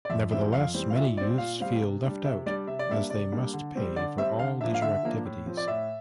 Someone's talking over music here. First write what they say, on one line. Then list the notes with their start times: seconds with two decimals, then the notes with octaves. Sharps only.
Nevertheless, many youths feel left out, as they must pay for all leisure activities.
0.05 D5
0.10 F2 E5
0.31 E3 G3 C4 E5
0.52 F2 F5
0.74 E3 G3 C4
0.90 F5
0.95 A#2 E5
1.17 G3 D5
1.21 C4
1.38 A#2 F5
1.60 G3 C4 F5
1.82 C3
2.03 G3 D4
2.24 C3 E5
2.46 G3 D4 D5
2.67 C3 E5
2.79 D5
2.89 G3 A#3 D4 E5
3.10 C3 D5
3.32 G3 A#3 D4
3.53 D3
3.75 G3 C4
3.96 D3 D5
4.17 G3 C4 E5
4.39 D3 F5
4.61 F3 A#3 D4 E5
4.74 F5
4.82 D3 E5
5.03 F3 A#3 D4
5.25 A2
5.46 F3 C4
5.57 D5
5.68 A2 E5